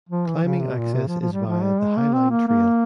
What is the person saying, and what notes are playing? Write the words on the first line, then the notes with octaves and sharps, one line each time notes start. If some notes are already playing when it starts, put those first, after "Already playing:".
Climbing access is via the Highline Trail.
F3
E3
C#3
C3
A#2
C3
F3
F3
G3
F3
G3
G#3
A#3
C4
A#3
A#3